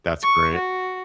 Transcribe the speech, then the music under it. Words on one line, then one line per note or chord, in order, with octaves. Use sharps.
That's great.
C#6
F#4